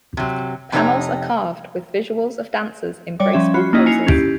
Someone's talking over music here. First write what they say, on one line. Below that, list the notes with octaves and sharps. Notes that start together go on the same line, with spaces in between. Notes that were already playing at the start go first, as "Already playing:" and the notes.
Panels are carved with visuals of dancers in graceful poses.
C3 F#3
F2 C3 D#4 E4 C#5 A#5
G3 C#5 D5 D6
F3 C#4 E5
F4 F#4 B5 F#6
A#3 C#4 D#4 E4 D#5
G#5 C7 C#7 F7
C#4 E4 G4